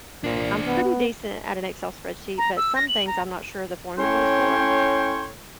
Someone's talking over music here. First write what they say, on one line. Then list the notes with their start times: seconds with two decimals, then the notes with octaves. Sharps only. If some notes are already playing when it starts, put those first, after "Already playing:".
I'm pretty decent at an Excel spreadsheet, but some things I'm not sure the formulas for.
0.24 A#2 D4 C5
0.66 B3
2.38 A#5
2.57 E6
2.76 A#6
2.89 F#7
3.07 A#5
3.98 A2 C#4 C#5 G5 C6